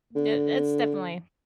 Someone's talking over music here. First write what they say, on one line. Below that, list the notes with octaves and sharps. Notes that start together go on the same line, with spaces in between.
that that's definitely
D3